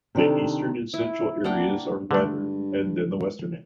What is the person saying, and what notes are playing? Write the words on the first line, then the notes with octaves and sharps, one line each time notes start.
The eastern and central areas are wetter than the western end.
C3 D#3 D4 D#4 A4
E4
A#3 D4 F#5 G5
G2 D3 G#3 A3